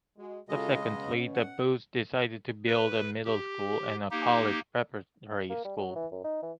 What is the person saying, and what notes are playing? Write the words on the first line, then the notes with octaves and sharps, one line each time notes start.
Subsequently, the Booths decided to build a middle school and a college preparatory school.
G#3 F#4
C#3 G#3 F4 F#4 A4 D#5
B2 C#4
F#5
B4
G4
A#3 D#4 G4
A#3
G3
F#3
E3
F#2
D#4
E3